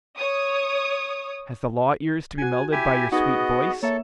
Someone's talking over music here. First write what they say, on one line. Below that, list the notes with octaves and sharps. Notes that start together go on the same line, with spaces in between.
Has the law ears to be melted by your sweet voice?
C#5 D#6
F#4 G#5 G#6
E4 G4 G#5
B3 D#4 F#4 G#4 D#5
A#3 A4 C#5 E5